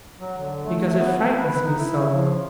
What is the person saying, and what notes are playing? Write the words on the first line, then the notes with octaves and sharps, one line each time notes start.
'Because it frightens me so!'
F#3
D3
A3
B3
C4
B4
D#4
E4
F3